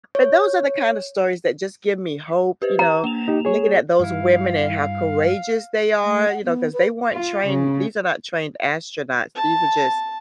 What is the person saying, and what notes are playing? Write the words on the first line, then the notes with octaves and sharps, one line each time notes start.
But those are the kind of stories that just give me hope, you know, looking at those women and how courageous they are, you know, 'cause they weren't trained, these are not trained astronauts, these are just
C#5
G4 B4 C5
A#5
A#3 E7 F7
D#4 G4
G#4 C#5
G2 E4 F5
A3
F#5
B3
B4
F4
C#3
A5